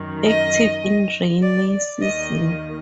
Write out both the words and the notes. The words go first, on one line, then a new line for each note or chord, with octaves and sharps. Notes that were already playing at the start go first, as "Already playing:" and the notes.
Active in rainy season.
Already playing: F#2 D#3
D#5
D5
D#2 D#3 D#5